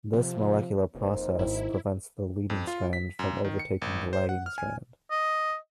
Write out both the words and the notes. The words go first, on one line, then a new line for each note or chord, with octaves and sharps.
This molecular process prevents the leading strand from overtaking the lagging strand.
C3 F3
F1 A#3 D#4 C5
G#1 E4
F2
F4
B6
F#2
D#3
C#7
G#1
C5
F#5
F6
G#5
D#5